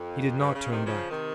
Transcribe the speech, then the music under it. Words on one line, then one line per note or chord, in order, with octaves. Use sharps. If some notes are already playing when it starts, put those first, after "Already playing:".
He did not turn back.
Already playing: F2
G2
C#3
C3 D#3
C#3 F3
C3 D#3